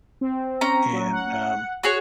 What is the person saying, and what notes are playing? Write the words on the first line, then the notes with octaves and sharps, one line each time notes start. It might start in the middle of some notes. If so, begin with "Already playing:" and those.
and, um,
C4
C#4 A#5
F#3
F#5
F#4 G#4 C#5 F#5